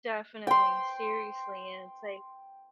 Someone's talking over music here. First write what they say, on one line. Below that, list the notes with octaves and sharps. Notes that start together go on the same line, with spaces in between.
Definitely, seriously, and it's, like,
G5 C6